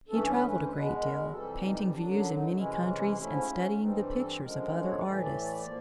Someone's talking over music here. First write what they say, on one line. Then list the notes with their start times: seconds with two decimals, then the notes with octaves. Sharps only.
He traveled a great deal, painting views in many countries and studying the pictures of other artists.
0.08 G2 E3 A3 C#4 A4
0.29 B4
0.49 B4
0.65 C5
0.70 E2 B2 G#3 B4
1.01 A#4
1.31 F2 C3 E3 G3 A4
1.63 D#4
1.93 F#2 D3 F#3 D4
2.13 D4
2.35 D#4
2.55 C3 E3 G#3 C#4 E4
2.66 F#4
2.76 F4
2.96 E4
3.17 G#2 F3 A3 C#4 E4
3.78 G2 E3 G3 C4 D#4
4.10 A4
4.40 F#2 D3 F3 G#3 A#4
4.61 A#4
4.81 C#5
5.01 A2 E3 A3 D5
5.22 D5
5.43 D5
5.64 A2 F3 A#3